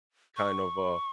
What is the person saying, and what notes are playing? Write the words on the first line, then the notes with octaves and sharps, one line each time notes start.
kind of, uh,
C#6